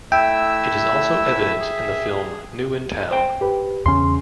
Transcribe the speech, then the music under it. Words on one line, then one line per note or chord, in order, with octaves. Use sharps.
It is also evident in the film "New in Town".
A3 E4 E5 G5 E6
G#4
C5 G5
G4 B4
E2 C#3 C#4 C6